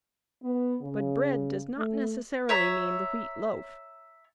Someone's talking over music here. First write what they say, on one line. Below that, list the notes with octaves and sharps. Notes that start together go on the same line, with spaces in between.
But "bread" does not necessarily mean the wheat loaf.
B3
C#3
A3
C#5 E5 A#5